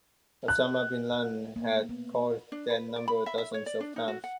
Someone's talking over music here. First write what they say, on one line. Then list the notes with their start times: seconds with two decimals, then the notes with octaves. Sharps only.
Osama bin Laden had called that number dozens of times.
0.48 F#6
1.56 A#3 B3
1.89 B3
2.52 D4
2.70 B4
2.96 D5
3.08 B5
3.26 E5
3.38 E5
3.54 C#5
3.66 D5
3.81 D4
3.96 D#4
4.08 F#4
4.24 F#5